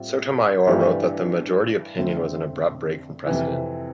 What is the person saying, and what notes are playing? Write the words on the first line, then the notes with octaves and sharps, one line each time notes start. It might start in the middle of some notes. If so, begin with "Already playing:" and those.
Sotomayor wrote that the majority opinion was "an abrupt break from precedent".
Already playing: A2 G3 C4 F4
G2 E3 A3 D4 G4
F2 D3 A3 C4
F2 C3 E3